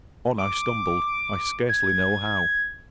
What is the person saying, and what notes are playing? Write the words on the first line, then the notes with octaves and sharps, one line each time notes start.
On I stumbled, I scarcely know how.
D6
G#6